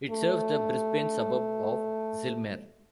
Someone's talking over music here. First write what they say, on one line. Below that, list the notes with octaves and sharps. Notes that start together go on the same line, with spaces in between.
It serves the Brisbane suburb of Zillmere.
A3